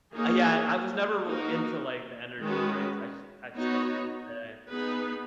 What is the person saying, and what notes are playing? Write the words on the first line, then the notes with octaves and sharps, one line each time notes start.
Ah, yeah. I was never r into like the energy drinks. I just I still to this day, so
A#3 D#4 G#4 C#5
A#3 D#4 F#4 A#4
D#3 G#3 C#4 F#4 B4
B3 D#4 F#4 C#5
B3 D#4 G#4 B4